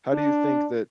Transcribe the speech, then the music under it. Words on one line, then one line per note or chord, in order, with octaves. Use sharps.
How do you think that
D4